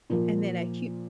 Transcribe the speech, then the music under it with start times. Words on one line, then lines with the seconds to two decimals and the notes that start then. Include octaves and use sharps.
and then a hu
0.10 A#2 F3 A#3